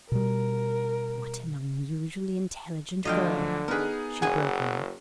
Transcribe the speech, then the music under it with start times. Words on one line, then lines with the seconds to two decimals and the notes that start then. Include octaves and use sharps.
'What an unusually intelligent girl!' she broke in.
0.12 B2 G3 A#4
3.05 D2 D3 F3 F#3 D#5 F5 G5
3.68 B3 D#4 G#4 A#4 B4
4.22 F#1 G#4 F#5 G#5